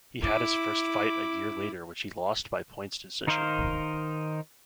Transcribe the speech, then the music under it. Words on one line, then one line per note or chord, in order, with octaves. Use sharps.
He had his first fight a year later which he lost by points decision.
E4 D6
D#3 D#4 A#4 C5 F5